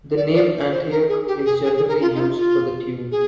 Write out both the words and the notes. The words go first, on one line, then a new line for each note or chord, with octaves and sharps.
The name "Antioch" is generally used for the tune.
D5
D5
C5
A#4
G#4
G4
G#4
G#4
G#4
A#4
F4
D#4
F4
F4
G#4